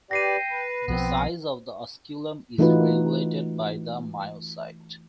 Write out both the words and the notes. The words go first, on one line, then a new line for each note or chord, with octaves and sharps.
The size of the osculum is regulated by the myocyte.
G4 B4 D5 G5 A#6 C7 D#7
B4
B1 F3 B3 C4
E3 A3 D#4 F4 F#4 B4